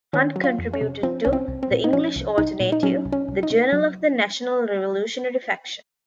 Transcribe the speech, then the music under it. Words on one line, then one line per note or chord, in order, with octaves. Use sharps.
Hunt contributed to "The English Alternative", the journal of the National Revolutionary Faction.
D#3 C#4
F#3
F4
F2
C#4
C3
F3 C4
C2 C#4
C4
C2
C4
A#2
D#4
F3 C#4
C2
C2 D#4
A#2
D#4
F#3 C#4
C2
C#4
C2
D#4
C3
F#3